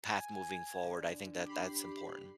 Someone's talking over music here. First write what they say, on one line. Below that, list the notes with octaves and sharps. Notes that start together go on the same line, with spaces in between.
path moving forward, I think that that's important.
G#5
D3
G4 B5 C7